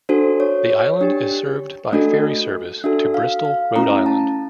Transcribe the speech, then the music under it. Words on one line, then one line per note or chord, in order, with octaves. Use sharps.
The island is served by ferry service to Bristol, Rhode Island.
D4 F#4 A4 C5
C#5
C#5
D4 G4
A3 D4 F#4 A4 D#5
D4 F#4 A4 E5
F5
F5
A3 C#4 E4 A#5
A5